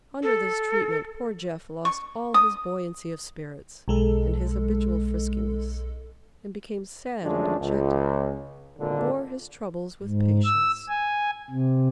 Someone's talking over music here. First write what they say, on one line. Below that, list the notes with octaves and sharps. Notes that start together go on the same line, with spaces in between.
Under this treatment poor "Jeff" lost all his buoyancy of spirits and his habitual friskiness, and became sad and dejected, but bore his troubles with patience.
A4
C#6
D#6
B1 G#3 A4
F#2 F3 G#3 A3 D4
C#2
G#1 A#2 D3
G#2
E6
G#5
C3